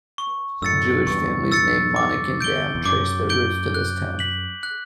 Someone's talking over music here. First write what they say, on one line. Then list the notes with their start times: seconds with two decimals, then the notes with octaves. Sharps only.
Jewish families named Monnikendam trace their roots to this town.
0.18 C#6
0.62 F#2 A2 E6 A6 C#7
1.07 E2 G2 C#6
1.52 E6 A6 C#7
1.96 D6
2.40 G6 D7 G7
2.75 E2
2.85 F#2 D6
3.29 G6 D7 G7
3.74 F#6
4.19 B6 F#7
4.63 F#6